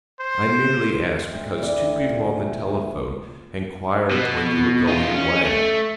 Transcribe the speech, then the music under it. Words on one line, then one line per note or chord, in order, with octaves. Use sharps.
"I merely asked because two people on the telephone enquired when you were going away."
C5
D2
E3 D5
A#2
B2
D#4 F4
C#4
A3